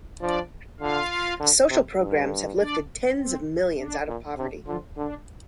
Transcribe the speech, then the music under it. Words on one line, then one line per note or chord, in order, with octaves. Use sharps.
Social programs have lifted tens of millions out of poverty.
F3 D4 D5
D3 F4 F5
D3
C3
G2
D4 D5
C4
D4
A#2
C3 D4
D3 F3 F4
D3 D4